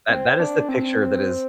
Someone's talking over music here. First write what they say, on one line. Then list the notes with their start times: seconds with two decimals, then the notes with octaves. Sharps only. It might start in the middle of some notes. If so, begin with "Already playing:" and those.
that that is the picture that is
0.09 C4
0.39 D4
0.69 C4